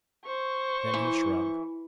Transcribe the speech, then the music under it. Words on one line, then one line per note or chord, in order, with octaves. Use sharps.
Then he shrugged.
C5 C#6
E3